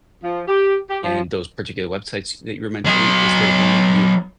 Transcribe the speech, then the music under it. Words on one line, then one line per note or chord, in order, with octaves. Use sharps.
and those particular websites that you were mentioning. Is there one that you
F3
G4
G4
F3
F#3 D#5